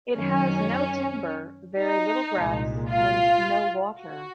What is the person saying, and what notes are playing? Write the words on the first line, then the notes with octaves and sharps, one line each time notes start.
It has no timber, very little grass, and no water.
F#2 D#3 F#3 C#4
D#4
C2 A#2 G#3
F4
F#4